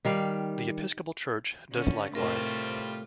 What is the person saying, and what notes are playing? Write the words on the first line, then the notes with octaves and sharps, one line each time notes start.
The Episcopal Church does likewise.
D#3 G3 F5
D3 C#4
A2 C3 G3 A3 C4 F4 A#4